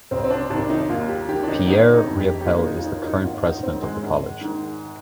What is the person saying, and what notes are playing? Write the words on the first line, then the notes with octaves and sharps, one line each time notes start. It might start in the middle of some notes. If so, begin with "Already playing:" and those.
Pierre Riopel is the current president of the college.
C2 C4
C4
D4
C3 D#3 D4
D#4
D#2 F4
G4
D#3 G4
D4
D#4
G1 D#4
D#4
F2 D#3
G4
G4
D#2 F4
D#4
F4
D#3 D#4
D#4
G#1 F4
D#4
G#2 D#3 C4
G#3
G#1
G#2 D#3